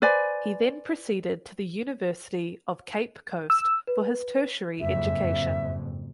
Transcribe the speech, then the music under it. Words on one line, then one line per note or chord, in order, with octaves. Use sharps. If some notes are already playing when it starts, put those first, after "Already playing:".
He then proceeded to the University of Cape Coast for his tertiary education.
B4 C5 D5 G#5
E6
B4
F#1 F2 G#2 E5